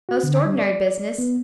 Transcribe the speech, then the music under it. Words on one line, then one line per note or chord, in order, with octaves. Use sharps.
Most ordinary business.
F#4
D3
G3
D5
B3